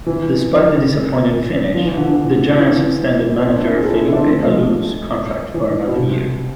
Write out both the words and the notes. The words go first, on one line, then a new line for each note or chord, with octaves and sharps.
Despite the disappointing finish, the Giants extended manager Felipe Alou's contract for another year.
E3
F3
E3
D3
E3
D3
E3
B3
C4
D4
E4
G#4
A4
G#4
E4
D4
C4
A3
G#3
F3
E3
B2
C3